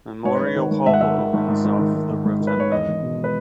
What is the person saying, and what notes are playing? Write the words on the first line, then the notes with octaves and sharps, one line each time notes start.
Memorial Hall opens off the Rotunda.
G#2 C#5
B4
G#1
C#5
D#3
G#1
G#2 E5
F#5
G#1 E5
D#3
G#1
G#2
G#1
D#3
G#1
G#2
G#1
D#3
B4
G#1 C#5
E2 D#5
E1
B2
B4